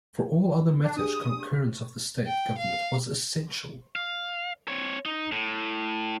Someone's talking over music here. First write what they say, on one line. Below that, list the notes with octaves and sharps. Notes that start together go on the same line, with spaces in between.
For all other matters concurrence of the State Government was essential.
D4
D4 G4 G#4 D#6
G5
F5
F5
C4 C#5
D#4
A2